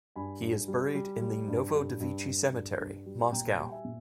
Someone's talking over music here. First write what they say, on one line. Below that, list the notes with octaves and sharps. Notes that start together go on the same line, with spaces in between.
He is buried in the Novodevichy Cemetery, Moscow.
G2 G#5 B5
G2
G3
G3
G3
G2
G2
G2
G2
G2
G2
G3
A#2 G5 A#5
G3 G5
E5 G#5
A#2